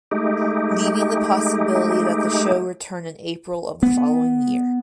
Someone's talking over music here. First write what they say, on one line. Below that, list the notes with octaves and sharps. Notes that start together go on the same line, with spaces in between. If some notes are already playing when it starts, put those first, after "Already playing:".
Leaving the possibility that the show returned in April of the following year.
G#3 A3 D#4 G4
B3